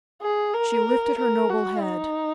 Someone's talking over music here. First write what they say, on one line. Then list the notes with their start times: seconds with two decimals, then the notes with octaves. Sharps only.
She lifted her noble head.
0.22 G#4
0.54 A#4
1.18 A#4
1.50 F#4
1.82 D#4